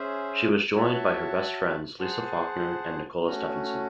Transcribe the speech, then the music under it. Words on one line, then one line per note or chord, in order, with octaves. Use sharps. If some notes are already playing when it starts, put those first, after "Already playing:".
She was joined by her best friends Lisa Faulkner and Nicola Stephenson.
Already playing: C#4 G#4 C5 E5
F#4 C#5 E5 A5
G#4 C5 F#5 A5
A3 C#4 F#4